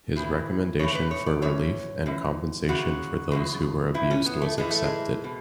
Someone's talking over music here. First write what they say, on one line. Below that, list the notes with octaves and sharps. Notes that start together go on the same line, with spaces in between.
His recommendation for relief and compensation for those who were abused was accepted.
A2 E3
A2 E3 C#5
B4
C#5
D5
F#2 E3 C#5
F#2 E3
F#2 C#3 E3 F#4
F#2 C#3 E3
A2 E3 E4
C#4
B3
A3
A2 E3 G#3
A3
G#3
B2